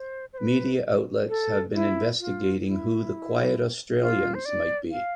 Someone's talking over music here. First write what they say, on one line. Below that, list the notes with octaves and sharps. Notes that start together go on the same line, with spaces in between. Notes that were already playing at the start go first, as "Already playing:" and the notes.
Media outlets have been investigating who the Quiet Australians might be.
Already playing: C5
C5
B4
A4
E4
F4
E4
F4
C5
D5
F5